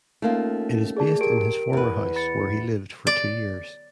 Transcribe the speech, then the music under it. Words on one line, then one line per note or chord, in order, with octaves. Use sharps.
It is based in his former house, where he lived for two years.
A3 A#3 C#4 D#4 F4
G#4 D5 A5
G4 A#4 D7
E2 B4
B5 A6 C#7
D5